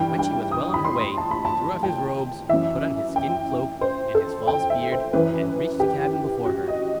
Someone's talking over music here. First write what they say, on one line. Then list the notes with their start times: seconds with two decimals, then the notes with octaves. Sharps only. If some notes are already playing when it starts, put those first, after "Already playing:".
When she was well on her way, he threw off his robes, put on his skin cloak, and his false beard, and reached the cabin before her.
Already playing: G2 E3 G5
0.19 G5
0.51 D#6
0.74 B5
0.85 C6
1.01 C6
1.18 A5
1.31 B5
1.45 A5
1.83 G5
2.49 F#2 E3 E5
3.16 G5
3.81 C5
4.15 A4
4.48 G5
4.70 E5
4.92 C5
5.13 F#2 E3 B4
5.80 G4
6.45 F#4
6.68 D#5